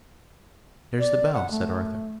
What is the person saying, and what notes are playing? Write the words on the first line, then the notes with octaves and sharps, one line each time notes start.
'There's the bell,' said Arthur.
D5
F#5
A3